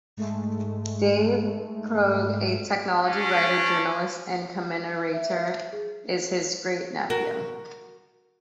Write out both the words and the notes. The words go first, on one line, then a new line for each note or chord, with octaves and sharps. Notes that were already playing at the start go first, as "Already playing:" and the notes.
David Pogue, a technology writer, journalist and commentator, is his great nephew.
G#2 G#3 A3
C#4 D4
E5
G#4
F#4 A#4